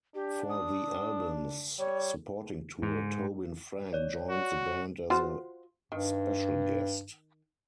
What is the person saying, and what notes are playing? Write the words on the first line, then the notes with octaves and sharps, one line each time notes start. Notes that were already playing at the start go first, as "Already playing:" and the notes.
For the album's supporting tour, Tobin Frank joined the band as a "special guest".
D4 G4
D#6
G3 C#5
G#2
C#5 D5
F#4
F4 F#4 C5
G2 D#3